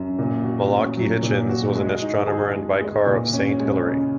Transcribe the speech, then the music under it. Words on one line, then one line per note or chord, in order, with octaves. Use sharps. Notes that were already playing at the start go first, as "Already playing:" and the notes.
Malachy Hitchins was an astronomer and Vicar of Saint Hilary.
Already playing: F#2
A#2
F#4
C#4
F#3
A#2
F#4
G#3
D#4
G#4
G#3
G#3
A#2
C#4
G#3
C#3